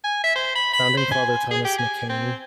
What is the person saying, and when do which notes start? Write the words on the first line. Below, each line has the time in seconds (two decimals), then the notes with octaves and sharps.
Founding Father Thomas McKean.
0.04 G#5
0.24 E5
0.35 C5
0.55 B5
0.73 B5
0.97 C5
1.11 G#5
1.51 G#4
1.65 G4
1.78 G#5
2.09 C4